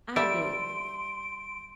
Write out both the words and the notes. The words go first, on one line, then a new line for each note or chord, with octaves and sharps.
I do
G3 A4 E5 C6 D7